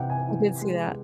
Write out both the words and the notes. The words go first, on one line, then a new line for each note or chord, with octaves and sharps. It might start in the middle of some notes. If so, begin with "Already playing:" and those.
I did see that.
Already playing: C3 E3 F#5 G5
G#5
E3
G#3